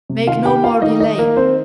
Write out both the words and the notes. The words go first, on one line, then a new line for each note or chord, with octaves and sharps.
Make no more delay!
C3
D#3 F4 F5
A#3 G4 G5
A#3 F4 F5
D#3 D#4 D#5
D#3 D#4 D#5
A#3 A#4
D#3 C4 C5